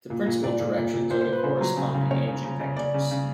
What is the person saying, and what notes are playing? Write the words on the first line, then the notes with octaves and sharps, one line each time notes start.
The principal directions are the corresponding eigenvectors.
A#2
A#2
A#2 D5
A#2
A#2
A#2
A#2 C5
C5
A#2
B4
C#3 C5
F#3
C#3
C#3
C#3 C#5
C#3
C#3
C#3
C#3 D5
C#3
C#3